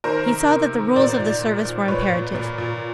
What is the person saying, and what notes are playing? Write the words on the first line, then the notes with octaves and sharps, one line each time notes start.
He saw that the rules of the service were imperative.
D#3 A#4 C5
C3
C3
D#3
A#2 C5 D5
A#2
A#2
A#2
A#2 B4 C#5
A#2
A#2
A#2